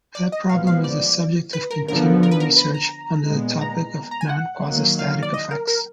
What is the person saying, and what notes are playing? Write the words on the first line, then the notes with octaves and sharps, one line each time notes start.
That problem is a subject of continuing research under the topic of non-quasistatic effects.
D5
D#5
A#2 F3 G#3 B3 F5
F5
D5
B4
A#4
D3 F3 B3 A#4
A#4
B4
A#4
B4
A#5
A#2 G#3 B3
A#5
A#5
G#5
F#5
D#3 F#3 A#3
F5
D5
D#5
A#4
A#4